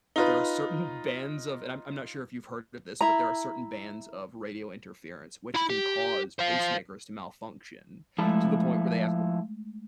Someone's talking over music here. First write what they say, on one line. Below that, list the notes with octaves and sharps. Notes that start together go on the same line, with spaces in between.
there are certain bands of and I'm I'm not sure if you've heard of this, but there are certain bands of radio interference which can cause pacemakers to malfunction to the point where they have to
D#4 F4 B4
E4 A#5
E4 B5
G4
C5 F5
F3 G#3 A3 E4 A4